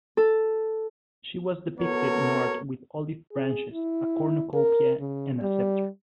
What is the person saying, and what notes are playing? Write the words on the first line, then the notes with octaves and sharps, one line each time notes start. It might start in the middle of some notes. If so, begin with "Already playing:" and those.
She was depicted in art with olive branches, a cornucopia and a scepter.
A4
B3 F#4 A4 A#4 C#5
G#4
E4
A#4
C#3
G3